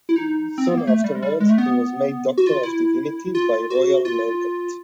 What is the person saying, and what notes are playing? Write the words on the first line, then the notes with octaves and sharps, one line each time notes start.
Soon afterwards, he was made Doctor of Divinity by royal mandate.
E4
D#4
C4
B3
A#3
A3
G3
G#3
G3
G#3
A3
B3
F#4
F4
E4
F4
F#4
F4